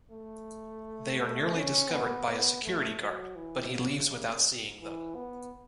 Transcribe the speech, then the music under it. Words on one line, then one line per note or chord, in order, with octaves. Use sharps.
They are nearly discovered by a security guard, but he leaves without seeing them.
A3
C#4
B3
B3
A3
F#3
E3
C#3
E3
B3